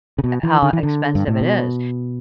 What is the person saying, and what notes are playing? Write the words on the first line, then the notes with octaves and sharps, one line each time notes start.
how expensive it is.
C#3
B2
E3
D3
E3
D3
G2
A2
B2